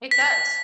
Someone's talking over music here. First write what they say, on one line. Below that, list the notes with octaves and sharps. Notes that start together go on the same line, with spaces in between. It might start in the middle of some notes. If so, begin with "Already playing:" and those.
It does.
B6